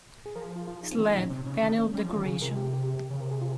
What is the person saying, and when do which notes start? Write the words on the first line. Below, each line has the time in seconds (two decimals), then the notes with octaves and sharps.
Slab, panelled decoration.
0.26 G#4
0.35 F3 A#4
0.45 G#4
0.56 F4
0.67 F4
0.83 D#4
0.91 C4
0.98 D#3 C#4
1.12 A#2 D#4
1.21 C#4
1.30 C3 C4
1.46 C#3 C#4
1.62 D#3 C#4
1.78 C#4
1.84 C4
1.93 G3 C#4
2.04 F3
2.10 F4
2.15 D#3
2.25 C#3 G#4
2.41 C3 A#4
2.57 G4
2.74 G4
3.10 C#3
3.20 C3 A#4
3.31 G#4
3.42 F4